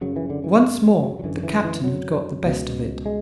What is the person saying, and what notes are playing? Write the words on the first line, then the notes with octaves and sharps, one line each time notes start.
Once more, the Captain had got the best of it.
F#2 C#3 F#3
E3
D3
E3
G#3
F#3
F#3
F#2 D3 E3
E3
E3
F#3
C#2 B2
G#3